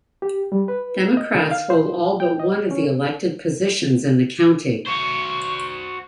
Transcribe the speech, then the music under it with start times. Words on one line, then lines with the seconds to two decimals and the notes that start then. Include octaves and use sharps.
Democrats hold all but one of the elected positions in the county.
0.22 G4
0.52 G3
0.68 B4
1.17 D#5
1.35 D3
1.51 F5
1.70 C5
2.20 G5
2.39 D#5
2.71 C#4
4.87 F#4 C5 C#6